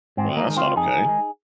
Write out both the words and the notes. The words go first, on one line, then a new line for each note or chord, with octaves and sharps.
Well, that's not okay.
G#2 C4
A#3 D#4
D#3 G#3
C4 F4
F2 D#4 G#4
D#3 G#3